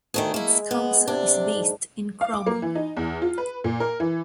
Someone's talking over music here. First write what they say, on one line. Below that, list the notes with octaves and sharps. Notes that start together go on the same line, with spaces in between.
Its council is based in Cromer.
D2 D#3 A3 G#4
G#3 A#3 E4
B3
C3 D4
G#2
F5
D6
A#3
E3
D#4
E2
F4
B4
A#2
A#4
E3